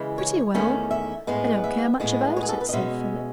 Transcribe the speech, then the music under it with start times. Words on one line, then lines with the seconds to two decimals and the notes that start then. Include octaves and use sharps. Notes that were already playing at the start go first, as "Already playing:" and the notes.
"Pretty well; I don't care much about it," said Philip.
Already playing: C#3 E3 G#3
0.18 C#5
0.54 E2 D#3 A3 C#4
0.91 E5
1.27 A2 G#3 B3
1.64 E5
2.00 A2 G#3 B3
2.36 C#5
2.43 G#4
2.49 A4
2.61 B4
2.69 D#5
2.73 B2 G#3 C#4 E5